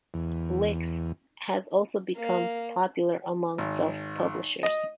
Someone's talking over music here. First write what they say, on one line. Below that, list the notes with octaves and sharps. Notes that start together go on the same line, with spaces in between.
LyX has also become popular among self-publishers.
E2
A#3
G#1
D#5